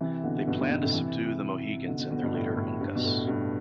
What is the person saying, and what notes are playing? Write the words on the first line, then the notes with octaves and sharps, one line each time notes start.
They planned to subdue the Mohegans and their leader Uncas.
C3 E3
B2 D3
G2 B2
G2 B2
G2 B2
A2 C3
C3 E3
B2 D3
B2 D3
B2 D3
G2 B2
A2
A2
G2
B2
A2
G2